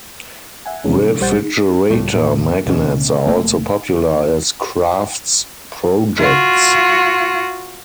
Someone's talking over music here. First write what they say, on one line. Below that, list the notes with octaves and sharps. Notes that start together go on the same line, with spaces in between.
Refrigerator magnets are also popular as crafts projects.
E5 F#5 G#5
C3 F3 G#3 C#4
A#1 G3 C5 F#5 G6 A6
C#2 A2 G3 A3
A1 A2 A#3
D2 B2 B3 C#4
F1 F#2 A3 A#3
F4 F#4